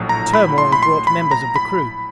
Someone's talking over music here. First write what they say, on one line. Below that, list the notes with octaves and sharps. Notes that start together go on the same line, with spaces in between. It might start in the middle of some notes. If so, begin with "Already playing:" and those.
The turmoil brought members of the crew.
Already playing: A#1 A2 F#3
A#5
B5
C6
B5
C6
B5
A#5
B5